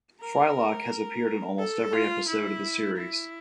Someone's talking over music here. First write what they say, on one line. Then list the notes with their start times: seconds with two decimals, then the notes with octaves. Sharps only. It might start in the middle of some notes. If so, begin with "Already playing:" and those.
Frylock has appeared in almost every episode of the series.
0.21 A#4
1.59 A4
1.93 F4
2.28 E4
2.97 E4